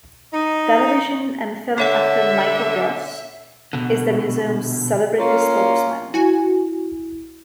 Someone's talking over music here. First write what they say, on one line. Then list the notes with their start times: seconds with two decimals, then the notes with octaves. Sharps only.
Television and film actor Michael Gross is the museum's "celebrity spokesman".
0.33 D#4
1.78 D3 A4 C#5 E5 F#5
3.73 B2 D3
5.18 A#3 C#4 F4
6.14 E4 F#4 G#5